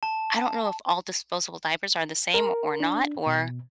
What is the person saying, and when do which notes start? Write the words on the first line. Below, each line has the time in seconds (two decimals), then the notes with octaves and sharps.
I don't know if all disposable diapers are the same o or not or
0.03 A5
2.34 A#4
2.80 D4
3.26 B2